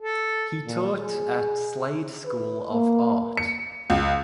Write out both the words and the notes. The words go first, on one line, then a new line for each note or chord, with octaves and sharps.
He taught at Slade School of Art.
A4
A#2
G#4
B4
A#3
C#7
C#2